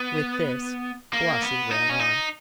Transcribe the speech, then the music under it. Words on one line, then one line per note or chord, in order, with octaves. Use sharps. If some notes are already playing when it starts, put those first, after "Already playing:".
With this Blasi ran on.
Already playing: B3
A#3
B3
D#4
C#4
D#4